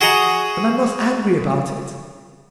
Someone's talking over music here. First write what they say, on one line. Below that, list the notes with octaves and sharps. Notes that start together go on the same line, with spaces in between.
And I'm not angry about it.
F#4 G#4 D#5 F#5 A#5